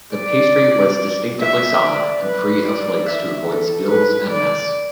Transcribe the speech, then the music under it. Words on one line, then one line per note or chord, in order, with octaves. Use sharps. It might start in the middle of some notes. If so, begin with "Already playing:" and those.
The pastry was distinctively solid and free of flakes to avoid spills and mess.
D5
E5
D5
B4
D5
E5
A4
B4
D5